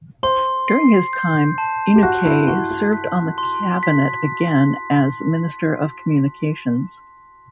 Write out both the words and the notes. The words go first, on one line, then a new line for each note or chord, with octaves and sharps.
During his time, Inukai served on the cabinet again as Minister of Communications.
C5 C6
C7
G6
A5
G4
F#4 F#6
E4
F#4 C6
F#4
B6
C6
B6